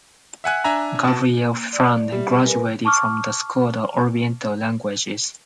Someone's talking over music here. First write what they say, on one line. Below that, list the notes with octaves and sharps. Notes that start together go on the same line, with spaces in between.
Gabriel Ferrand graduated from the School of Oriental Languages.
E5 F#5 G#5 F#6
D4 E5 G#5 A#5
B2 A5
A#3
D5
G3 E5
A#4 B4 G#5
A5 C#6 D6 F6